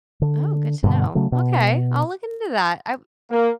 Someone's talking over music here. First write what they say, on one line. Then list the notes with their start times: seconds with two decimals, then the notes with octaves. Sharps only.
Oh, good to know. Okay, I'll look into that. I
0.22 D3
0.84 G2 B2 D3
1.15 C#3 F#3 A3
1.32 B2
3.31 A#3